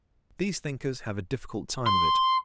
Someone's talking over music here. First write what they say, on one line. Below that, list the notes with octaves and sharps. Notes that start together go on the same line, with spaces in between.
These thinkers have a difficult time of it.
C6